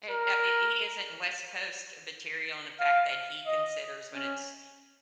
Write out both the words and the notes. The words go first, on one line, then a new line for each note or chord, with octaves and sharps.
He that h he isn't West Coast material in the fact that he considers when it's
A#4
F5
D#5
C#4